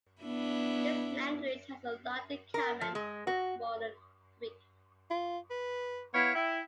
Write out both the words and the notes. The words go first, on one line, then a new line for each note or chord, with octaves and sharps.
This language has a lot in common with modern Greek.
B3 D4 E4
A#4
F3
G#3
F#4
F4
B4
B3 E4 C#5 F5
E4 G5